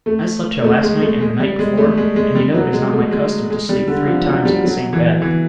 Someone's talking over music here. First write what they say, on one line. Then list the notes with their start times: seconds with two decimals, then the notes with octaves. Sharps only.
"I slept here last night and the night before, and you know it is not my custom to sleep three times in the same bed."
0.06 A3
0.64 A3
0.83 G#3
1.01 A3
1.21 G#3
1.40 G3
1.59 G#3
1.77 A3
1.97 G#3
2.16 G#3
2.35 G3
2.54 F#3
2.73 G#3
2.93 A3
3.11 G#3
3.50 G#3
3.69 G3
3.88 D3
4.07 F3
4.26 F#3
4.45 G3
4.64 F#3
4.93 E3
5.22 E3